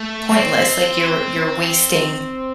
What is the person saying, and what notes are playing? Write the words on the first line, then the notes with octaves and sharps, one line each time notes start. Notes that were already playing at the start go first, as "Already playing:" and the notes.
pointless. Like, you're you're wasting
Already playing: A3
C4